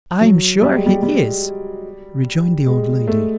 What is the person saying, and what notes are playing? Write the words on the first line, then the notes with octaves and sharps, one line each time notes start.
'I'm sure he is,' rejoined the old lady.
F#3
G3
G#3
G3
G3
G#3
A3